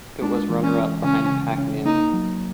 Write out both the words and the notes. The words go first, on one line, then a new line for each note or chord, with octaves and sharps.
It was runner-up, behind "Pac-Man".
G#3 D4
E3
C#4
E3
C#3 C#4
C#3
C#4
A#3 D#4
F#3